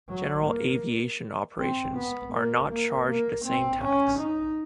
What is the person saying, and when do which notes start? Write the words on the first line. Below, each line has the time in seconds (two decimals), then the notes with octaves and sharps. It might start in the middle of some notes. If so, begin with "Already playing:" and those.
General aviation operations are not charged the same tax.
0.09 F#3
0.46 A#3
1.58 C4
1.96 B3
2.33 A#3
2.70 A#3
3.08 A#3
3.46 C4
3.82 C#4
4.20 D#4